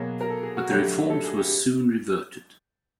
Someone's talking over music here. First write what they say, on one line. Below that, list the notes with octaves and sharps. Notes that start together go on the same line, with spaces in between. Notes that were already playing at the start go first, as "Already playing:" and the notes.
But the reforms were soon reverted.
Already playing: B2 F#3 A#3 G#4
A#4
A4
G#4
F#4
G2 D3 F#3 A3 G4
A4
G#4
G4